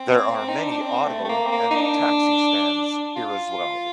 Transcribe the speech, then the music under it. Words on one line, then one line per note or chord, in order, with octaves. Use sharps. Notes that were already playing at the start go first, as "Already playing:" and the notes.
There are many auto and taxi stands here as well.
Already playing: C4
A#3
C4
D#4
D4
D4
C4
A3
A3
A#3
C4
A#3
D#4
D4
F4